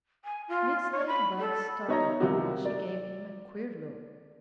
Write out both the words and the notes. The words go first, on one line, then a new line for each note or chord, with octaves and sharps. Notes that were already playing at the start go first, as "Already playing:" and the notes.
Mrs. Ladybug started; and she gave him a queer look.
G#5
F4
C#5
B5
A4
B3 D#4 C#5 D#5 E5 A#5
C2 C3 D#3 F3 D#4 F#4
D5